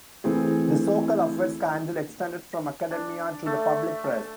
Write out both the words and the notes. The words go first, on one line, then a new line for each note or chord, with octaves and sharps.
The Sokal Affair scandal extended from academia to the public press.
E3 A3 C4 G#4
D4
A3
A5